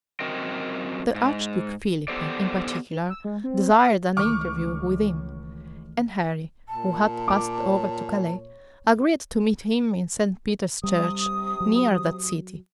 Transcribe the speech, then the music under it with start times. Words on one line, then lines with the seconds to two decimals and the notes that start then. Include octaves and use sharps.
The archduke Philip, in particular, desired an interview with him; and Henry, who had passed over to Calais, agreed to meet him in St. Peter's church, near that city.
0.20 F#2 C4 F#4 A#4 D#5 G5
1.15 G#2
2.08 B3 G4 A4 C5 D5
3.10 E6
3.24 G#3
3.44 C4
3.70 F5
4.17 C#2 D#3 E3 A3 C#6 D6 F6
6.68 A#2 A5
7.28 D6
7.63 C#5
10.83 C3 G3 D#6
11.60 F#3